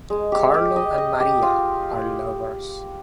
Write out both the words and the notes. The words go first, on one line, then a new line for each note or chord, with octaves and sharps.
Carlo and Maria are lovers.
G#3
G4
G4
D#5
D#5
G4
F4